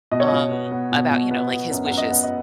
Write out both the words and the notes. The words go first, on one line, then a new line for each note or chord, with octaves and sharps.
um, about, you know, like, his wishes
B2 D#5
C#5
B2 D#5
B3
B3
B2
B2
B3
B3
F#2
F#2 F#5
D#5
B3
D#5